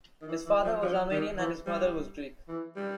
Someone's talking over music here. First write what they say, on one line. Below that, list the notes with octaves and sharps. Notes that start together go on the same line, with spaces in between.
His father was Armenian and his mother was Greek.
D#3
E3
E3
F3
F3
D#3
E3
G3
E3
G3